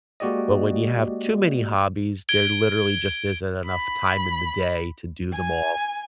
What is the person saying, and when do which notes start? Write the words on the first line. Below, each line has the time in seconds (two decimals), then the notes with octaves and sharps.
But when you have too many hobbies, there literally just isn't enough time in the day to do them all.
0.20 G#3 A#3 F#4 G4 D5 D#5
2.29 G#6 D7 G7
3.66 B5
5.33 G#5